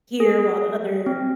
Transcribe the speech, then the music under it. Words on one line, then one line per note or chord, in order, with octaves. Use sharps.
here while the other
G#4
C4